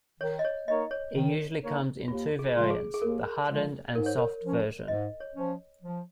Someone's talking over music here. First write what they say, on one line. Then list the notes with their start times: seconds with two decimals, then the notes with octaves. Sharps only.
It usually comes in two variants: the hardened and soft version.
0.20 D#3 C#5
0.39 D#5
0.45 C#5
0.67 A#3 D#4 A#4 C#5 D#5
0.91 C#5
1.14 D#3
1.61 A#3 D#4 A#4 C#5
2.08 D#2 F4
2.39 G#4
2.54 C#3 F3 G#3 F4
2.70 G#4
2.94 G#4
3.02 D#2 A#4
3.48 C#3 F3 G#3 F4
3.95 G#2 A#4
4.06 C#5
4.18 A#4
4.42 F3 C#4
4.88 G#2 D#5
5.20 C#5
5.36 F3 C#4
5.82 F3